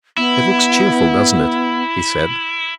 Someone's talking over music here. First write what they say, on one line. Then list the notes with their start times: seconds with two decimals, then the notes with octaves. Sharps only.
"It looks cheerful, doesn't it?" he said.
0.17 B3 E4